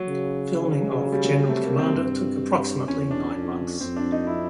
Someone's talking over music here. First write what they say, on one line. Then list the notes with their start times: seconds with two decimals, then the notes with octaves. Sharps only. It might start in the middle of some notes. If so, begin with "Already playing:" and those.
Filming of "General Commander" took approximately nine months.
Already playing: F#3
0.08 C#3
1.01 F#3
1.12 G3
1.25 F#3
1.36 G3
1.47 C3 A3
1.63 A#3
1.79 C4
1.94 G2
2.88 E2 C#4
3.11 D4
3.35 F2
3.81 F2 C4
3.96 D4
4.12 D#4
4.27 E4